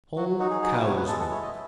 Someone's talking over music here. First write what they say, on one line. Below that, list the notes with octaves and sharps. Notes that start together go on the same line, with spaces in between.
Whole cow's milk.
F#3 F#4
D#4 F#4
G#4
F#3 G#4
B4
B3 C#5
B4
G#3 A4
A4
E4 C#5
D#5